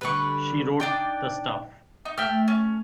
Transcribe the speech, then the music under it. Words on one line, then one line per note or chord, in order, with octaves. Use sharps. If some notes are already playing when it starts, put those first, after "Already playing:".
She wrote the stuff.
D3 G3 B4 C#6
D4 D#4 D5 G5
D#4
A3 E5 G5 F6
C#4